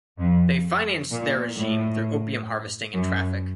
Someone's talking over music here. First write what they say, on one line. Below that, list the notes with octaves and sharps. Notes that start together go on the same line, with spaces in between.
They financed their regime through opium harvesting and traffic.
F2
A#2
A2
F#2